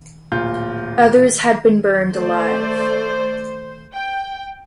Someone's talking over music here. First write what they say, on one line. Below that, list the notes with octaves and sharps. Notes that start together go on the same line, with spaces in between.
Others had been burned alive.
D1 A#2 F4 G6
A3 C5 D5
G5